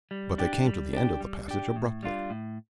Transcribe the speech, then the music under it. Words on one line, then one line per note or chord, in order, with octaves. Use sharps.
But they came to the end of the passage abruptly.
G3
D4 G4
G3
D4 G4
G3
D4 G4
A2
G3 D4 F4
A2